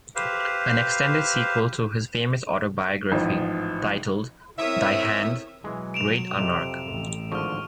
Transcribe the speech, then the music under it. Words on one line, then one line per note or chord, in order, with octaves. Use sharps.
An extended sequel to his famous autobiography, titled Thy Hand, Great Anarch!
G4 B4 C5 F5
A1 G#2 F3
C4 E4 A#4 C#5 E5 D#6
B2 E3 F#3 G#3
D7 E7 F7
F2 C3
A1
G#1 D3 F3 C#6 F6